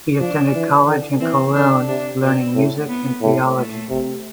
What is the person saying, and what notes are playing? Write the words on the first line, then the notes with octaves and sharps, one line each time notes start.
He attended college in Cologne, learning music and theology.
F3 D4
E3
D3
E3 C4
D3 D4
C3 D4
B2 C4
A2
B3
A2
A3
C3